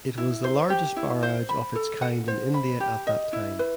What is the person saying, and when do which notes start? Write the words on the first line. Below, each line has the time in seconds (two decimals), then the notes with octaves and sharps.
It was the largest barrage of its kind in India at that time.
0.18 E4
0.44 C5
0.70 G4
0.96 E4
1.23 C5
1.49 B5
1.75 A4
2.02 F#5
2.28 C5
2.54 B5
2.80 G4
3.07 D#5
3.33 E4
3.59 B4